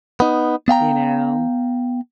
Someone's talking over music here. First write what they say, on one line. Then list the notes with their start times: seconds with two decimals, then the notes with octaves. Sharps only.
you know,
0.20 B3 D#4
0.68 B3 F5 G5 A#5